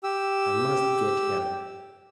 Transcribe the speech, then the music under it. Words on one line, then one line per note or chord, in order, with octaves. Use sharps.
"I must get help."
G4 E6